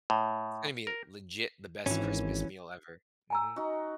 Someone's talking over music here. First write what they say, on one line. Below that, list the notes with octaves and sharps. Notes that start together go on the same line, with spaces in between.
It's gonna be legit the best Christmas meal ever. Mhm.
A2
A#4
G#1 E3 C#4
G#5 A#5 E6
D#4 F#4